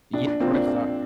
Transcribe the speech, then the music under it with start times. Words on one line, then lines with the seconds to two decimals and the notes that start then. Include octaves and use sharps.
yeah, corrections are
0.13 A#1 D4
0.27 D4
0.40 A#2 F3 A#3 C4 F4
0.54 D4
0.67 A#1